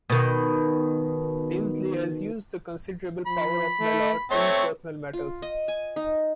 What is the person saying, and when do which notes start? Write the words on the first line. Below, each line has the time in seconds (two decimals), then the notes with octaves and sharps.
Tinsley has used the considerable power of Mallard in personal matters.
0.10 B2 D#3
3.27 F3 B5
3.80 A3
4.31 A3 C4 C#5 C#6
5.13 F4
5.42 D#5
5.68 G#5
5.96 D#4